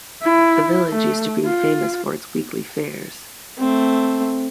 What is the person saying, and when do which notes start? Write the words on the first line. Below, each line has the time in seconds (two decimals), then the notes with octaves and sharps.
The village used to be famous for its weekly fairs.
0.22 E4
0.89 A3
1.44 F4
3.59 A3 C4